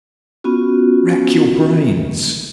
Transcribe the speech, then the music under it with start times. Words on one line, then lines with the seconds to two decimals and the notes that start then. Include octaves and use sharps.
Rack your brains!
0.44 B3 C#4 F4 F#4